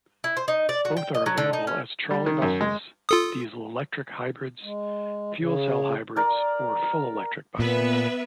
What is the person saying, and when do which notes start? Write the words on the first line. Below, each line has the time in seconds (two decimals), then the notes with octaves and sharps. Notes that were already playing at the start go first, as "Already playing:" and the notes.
Both are available as trolley buses, diesel-electric hybrids, fuel-cell hybrids or full-electric buses.
0.24 E4
0.37 C5
0.48 D#4
0.69 D5
0.85 F#4
0.97 G5
1.14 D#5
1.26 F#3
1.38 D3
1.53 D#4
1.67 C#4
2.11 G3
2.26 D#3
2.42 F#2
2.61 G#3
3.09 F4 A4 D#6
4.63 G#3
5.37 C#3
6.16 A#4 D5
7.59 A#2 B3 B4 E5